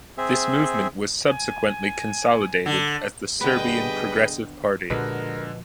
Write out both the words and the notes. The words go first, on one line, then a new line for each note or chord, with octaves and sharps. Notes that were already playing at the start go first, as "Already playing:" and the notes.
This movement was subsequently consolidated as the Serbian Progressive Party.
C4 G#4 E5
G#5
D3
B2 D3 G3 B3 G#4 B4 D#5 G5
A#2 D3 F3 G#3 F#4 A#4 B4 D#5